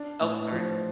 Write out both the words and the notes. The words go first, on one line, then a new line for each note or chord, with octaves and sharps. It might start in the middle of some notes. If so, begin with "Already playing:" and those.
Ope, sorry.
Already playing: D4
A2
F3